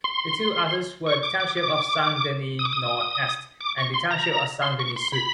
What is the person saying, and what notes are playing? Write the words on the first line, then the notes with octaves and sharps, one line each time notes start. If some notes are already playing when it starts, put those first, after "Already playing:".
The two others were the township of Saint-Denis-Nord-Est and the township of Saint-Denis-Sud.
C6
C#6
D6
D6
D6
D#6
D6
D#6
D6
C#6
C6
A#5
C6
C#6
C6
B5